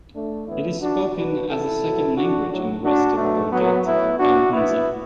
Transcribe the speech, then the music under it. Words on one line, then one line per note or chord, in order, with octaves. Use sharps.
It is spoken as a second language in the rest of Gilgit and Hunza.
A3 D4
A2 E3 B3 E4
D4 F#4
B2 F#3 F#4 B4
E4 A4
B2 F#3
D4 F#4
A2 F#3
D4 F#4
B2 F#3 A3
F#3 B3
A2 F#3 B3 E4
D4 F#4
B2 F#3 B3 E4